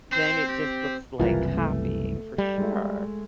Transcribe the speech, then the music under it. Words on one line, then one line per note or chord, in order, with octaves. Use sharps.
then it just looks like copying for sure.
C4 C5
G4
F#1 C2 E3 F4 A#4
A3
G3
G#3 A3